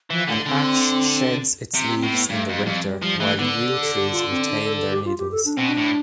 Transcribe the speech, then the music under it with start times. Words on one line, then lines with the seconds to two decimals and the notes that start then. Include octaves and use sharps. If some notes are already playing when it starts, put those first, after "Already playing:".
An ash sheds its leaves in the winter, while yew trees retain their needles.
0.10 E3 F3
0.28 D3 A3
0.46 D3 C4
1.74 C3 C4
1.93 C4
2.03 A2
2.11 B3
2.29 G2 A3
2.49 F2
2.57 G3
2.66 F2
2.84 G3
3.02 F3 G3
3.21 E3 A3
3.39 D3 B3
3.67 G4
3.81 A4
3.95 G4
4.12 F4
4.30 C4
4.49 D4
4.63 A4
4.76 A4
4.90 G4
5.05 F4
5.18 G4
5.31 A4
5.45 D4
5.57 B2 C4
5.69 D4
5.78 A2